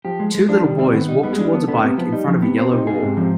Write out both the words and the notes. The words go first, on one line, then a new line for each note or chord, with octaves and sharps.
Two little boys walk towards a bike in front of a yellow wall.
F3 G4
G#3
G#3
F3 D4
D#3 G3
G3 C4
D#3 B3
G3 D#4
G3 B3
G#3
D4
G3
F3 B3
D3 B3
C3 B3
F3 B3
G3 D#4
D#3 F3
C3 B3
C3 C5
C3 D#4
B2 G#4
G#2 C3
C3 F3